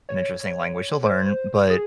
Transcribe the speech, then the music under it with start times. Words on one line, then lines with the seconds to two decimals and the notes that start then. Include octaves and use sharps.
an interesting language to learn, but,
0.09 C#5
1.06 C5
1.70 G#4